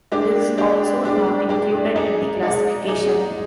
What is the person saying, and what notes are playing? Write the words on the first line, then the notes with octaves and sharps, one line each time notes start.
This is also not included in the classification.
G#3 D4 G4 D5
G#3 D4 G4 D5
G#3 D4 G4 D5
G#3 D4 G4 D5
G#3 D#4 G#4 D5
G#3 D#4 G#4 D5
G#3 D#4 G#4 D5